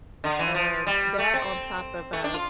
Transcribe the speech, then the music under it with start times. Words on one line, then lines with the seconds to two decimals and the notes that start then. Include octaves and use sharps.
um, that, on top of, uh,
0.24 D3
0.39 E3
0.54 F3
0.87 G3
1.18 A3
1.34 C4
2.13 A3
2.24 D4
2.34 F4